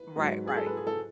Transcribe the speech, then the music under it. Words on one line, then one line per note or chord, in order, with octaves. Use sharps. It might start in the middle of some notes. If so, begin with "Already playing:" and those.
Right, right.
Already playing: B4
G#2 F#3
G#4
A4
B4
G#4
A4